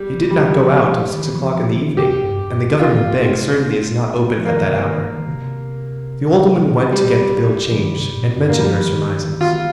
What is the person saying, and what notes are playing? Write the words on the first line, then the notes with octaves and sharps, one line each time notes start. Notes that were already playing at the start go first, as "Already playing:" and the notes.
"He did not go out until six o'clock in the evening, and the government bank certainly is not open at that hour." The old woman went to get the bill changed, and mentioned her surmises.
Already playing: G3
F3
F3 G3
D#3
F3
F3
D#3
C3 G4
G2
F4
F3
A#3
D#3
C3
D#3
D#3
C3
G3
F3
D#3
C3
A#2
G2
A#3
F3 G3
D#3
D#3
D#3 F4